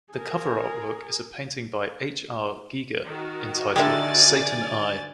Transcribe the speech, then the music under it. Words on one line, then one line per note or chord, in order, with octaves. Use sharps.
The cover artwork is a painting by H. R. Giger entitled "Satan I".
G#4 A#4
D#3 F#4
D3 G#3 G4 A#4 D5 E5 G#5 A6